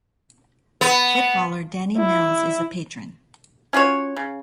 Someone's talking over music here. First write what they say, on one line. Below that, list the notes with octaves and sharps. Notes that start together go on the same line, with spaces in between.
Footballer Danny Mills is a patron.
B3
E4
C#4 F4 F#4 C#5
C#3